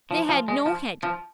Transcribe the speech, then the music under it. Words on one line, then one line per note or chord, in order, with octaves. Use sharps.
They had no head.
F3
F3
G#3
F3
F3